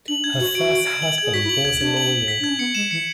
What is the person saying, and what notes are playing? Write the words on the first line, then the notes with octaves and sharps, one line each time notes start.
Her first husband was a lawyer.
D4 F#7
D4 G#6
F#4 F#7
F#4 D7
D7
G#6
F#7
G#4 G#6
F#4 B6
E4
F#4 F#7
G#6
D4 G#6
F#7
F#7
B6
D4 G#6
C#4
B3 C#7
G#3 E7
E3 C#7